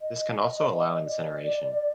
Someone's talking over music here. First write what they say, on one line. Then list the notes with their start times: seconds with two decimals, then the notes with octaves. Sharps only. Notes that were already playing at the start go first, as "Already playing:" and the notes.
This can also allow incineration.
0.02 D#5
1.05 D5